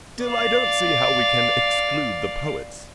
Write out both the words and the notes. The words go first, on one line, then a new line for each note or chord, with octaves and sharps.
Still, I don't see how we can exclude the poets.
D5 F5